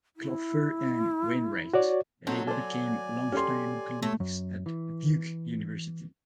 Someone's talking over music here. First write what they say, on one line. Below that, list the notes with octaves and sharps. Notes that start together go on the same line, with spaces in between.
Klopfer and Wainwright later became longtime colleagues at Duke University.
E4
F#4 C#5 D5
F#3 C4 D#4 A4 C#5
A4 C5 D5 G#5
C#4 G4 A4 C6
A3 C#5 E6
F#2
E3